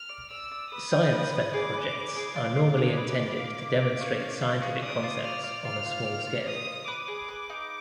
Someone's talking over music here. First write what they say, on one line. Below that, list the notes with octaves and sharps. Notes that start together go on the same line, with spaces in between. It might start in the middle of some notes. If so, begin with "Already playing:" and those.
Science fair projects are normally intended to demonstrate scientific concepts on a small scale.
Already playing: F6
D5
D5 E6
D5
B4 D#6
G5
B4
B4
G#4 D6
B4
B4
G#4
F4 D6
F4
G#4
B4
F4
A#3
A#3
A#3
C#4
F4
F4
C#4
D5 D#6
F4
D5 F6
D5
F4 F6
F4
D5
F4
D#5 D#6
D#5
B4 D6
G#4
B4
D#4